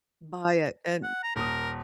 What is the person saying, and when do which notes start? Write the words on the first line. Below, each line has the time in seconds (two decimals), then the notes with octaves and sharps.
By a an
1.03 F#5
1.23 A#5
1.36 D#1 A#4 D#6